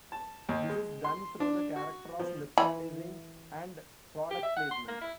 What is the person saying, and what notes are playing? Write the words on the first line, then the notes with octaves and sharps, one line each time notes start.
This is done through the character of merchandising and product placement.
A5
D#2
G#3
C6
D4
F#4
F3
E3 B5
G4
E5
F#5
C6
A#3
E4